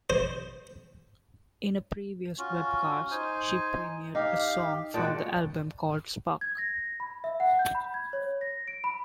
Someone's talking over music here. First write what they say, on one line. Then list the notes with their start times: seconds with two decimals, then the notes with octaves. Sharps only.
In a previous webcast, she premiered a song from the album called "Spark".
0.10 C5
2.38 C#4 F4 F#4
3.11 D#4 C5 G#5
4.15 D#4 G4 F5
4.94 A#2 G#3 F#4 G5 A5
6.41 G#6
6.58 A#6
7.00 B5
7.24 E5
7.40 F#5
7.59 G6
7.75 B5
7.94 G#6
8.13 C#5
8.41 A#6
8.68 D7
8.84 B5